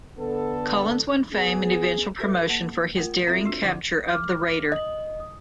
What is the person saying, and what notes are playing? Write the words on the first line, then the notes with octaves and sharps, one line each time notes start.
Collins won fame and eventual promotion for his daring capture of the raider.
D3 B3 A4
B3 G#4
F#4 G4 A4 B4 E5
A#3 F#5
A3 F4 A#4 F#5
C4 F4 A4 E5
D4 F#4
D3 F3 E4 F#5
D6 F6
D#5 D#6 F#7
D#6